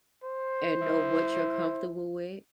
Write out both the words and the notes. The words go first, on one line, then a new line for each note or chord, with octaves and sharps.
and know what you're comfortable with,
C5
E4